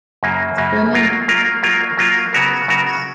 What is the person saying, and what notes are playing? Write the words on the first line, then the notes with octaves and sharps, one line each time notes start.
Women never had hit records in those days.
F#2 C#3 F#3 A#3
F#2 C#3 F#3 A#3
F#3 A#3 F4 A#4
F#3 A#3 F4 A#4
F#3 A#3 F4 A#4
F#3 A#3 F4 A#4
C#3 F#3 B3 F#4 A#4
C#3 F#3 B3 F#4 A#4